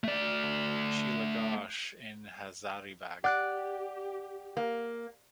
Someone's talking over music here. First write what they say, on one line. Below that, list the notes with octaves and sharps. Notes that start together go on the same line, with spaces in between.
Sheila Ghosh in Hazaribagh.
A3 D5
G4 D5 F#5 F#6
A#3